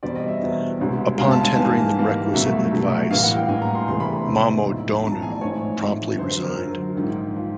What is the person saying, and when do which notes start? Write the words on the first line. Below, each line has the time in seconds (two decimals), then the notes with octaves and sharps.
Upon tendering the requisite advice, Momoedonu promptly resigned.
0.03 E2 B2 G3 C4 D5
0.16 D#5
0.28 E5
0.41 E2 B2 G3 C4
0.80 C2 B2 G#3 C#4
1.18 C2 B2 G#3 C#4 F5
1.31 A5
1.43 G#5
1.56 G#2 E3 G3 A#3 A5
1.95 G#2 E3 G3 A#3
2.33 C2 B2 F#3 A3 E5
2.72 C2 B2 F#3 A3
3.10 A1 A2 E3 G3 A#3 F5
3.23 F#5
3.36 G5
3.48 A1 A2 E3 G3 A#3 G#5
3.62 A#5
3.75 C6
3.87 E1 E2 C3 E3 A3 C6
4.00 B5
4.13 A#5
4.26 E1 E2 C3 E3 A3
4.64 B1 A2 F3
5.03 B1 A2 F3 A#5
5.12 A5
5.22 G#5
5.31 D5
5.41 A1 G#2 F3 A3 C4 C#5
5.80 A1 G#2 F3 A3 C4
6.18 F#2 D3 F#3 C5
6.31 C5
6.44 A#4
6.57 F#2 D3 F#3
6.95 A#1 G#2 F3
7.36 F3